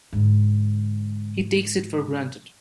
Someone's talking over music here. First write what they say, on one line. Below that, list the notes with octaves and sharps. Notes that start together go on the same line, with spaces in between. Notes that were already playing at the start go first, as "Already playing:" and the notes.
He takes it for granted.
G#2 D3